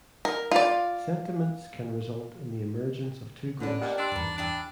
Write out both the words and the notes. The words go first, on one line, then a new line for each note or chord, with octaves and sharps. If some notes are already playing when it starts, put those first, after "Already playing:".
Sentiments can result in the emergence of two groups.
A#4
F4 D5
A2 D3 B3 C#4 D4
A#2 G4 D#5 F#5
G3 D4 C6 E6 F#6
E2 G2 D#3 B4
E3 D4 G#4 G5